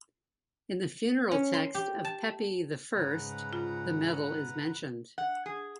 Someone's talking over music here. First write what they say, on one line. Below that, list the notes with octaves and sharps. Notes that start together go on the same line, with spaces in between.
In the funeral text of Pepi the First, the metal is mentioned.
C#4
C6
G4
A5
G#2 C#3 B4 F#5 A#5
F4
F#5
G#4